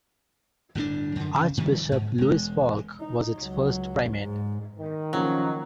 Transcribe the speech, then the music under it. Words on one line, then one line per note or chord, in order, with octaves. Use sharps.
Archbishop Louis Falk was its first primate.
G1 A2 C#3 D4
F#2 D3
C#3
G2 D#3 F3 G3
G#2
E1 G#3
D#4
C#2 F#3
G#2
D#3
C#3 F3 F#3 A#3 C#4